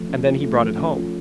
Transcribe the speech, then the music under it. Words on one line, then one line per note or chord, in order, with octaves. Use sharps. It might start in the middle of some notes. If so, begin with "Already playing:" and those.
And then he brought it home.
Already playing: F3 A3
C#4
F4
A3
F3
C#4
F4